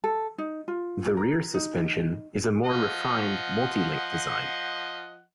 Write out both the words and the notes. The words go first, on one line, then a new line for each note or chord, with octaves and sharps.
The rear suspension is a more refined Multi-link design.
A4
D#4
F4
A#4
D#4
F3 D#5 F#5